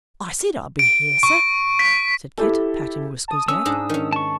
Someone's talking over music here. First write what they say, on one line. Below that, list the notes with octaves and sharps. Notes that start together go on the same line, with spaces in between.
'I said I'd be here, Sir,' said Kit, patting Whisker's neck.
D7
C#6
B6
E4 G4 A4
A5 D#6
C#4 E6
G#2 D4 A#5
D#3 C#4
A5 C#6